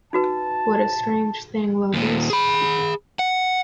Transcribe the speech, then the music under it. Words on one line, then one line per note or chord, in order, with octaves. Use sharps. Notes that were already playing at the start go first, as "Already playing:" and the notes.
What a strange thing love is!
D#4 F#4 B4 A5
D#2 A#2
G#4 B5
F#5